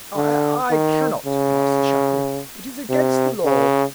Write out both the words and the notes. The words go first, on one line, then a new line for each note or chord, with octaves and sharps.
"I--I cannot, Master Shackle; it is against the law."
D3
D#3
C#3
C3
C#3